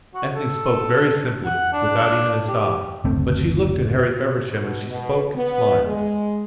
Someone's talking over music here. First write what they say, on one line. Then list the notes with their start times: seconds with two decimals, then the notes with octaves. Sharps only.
Ethne spoke very simply, without even a sigh, but she looked at Harry Feversham as she spoke and smiled.
0.14 F#4
0.35 A4
1.45 F#5
1.73 D4
2.48 G4
3.05 F#1 D2 A3 C4
4.48 B2
4.88 B2
5.34 B3
5.85 G#3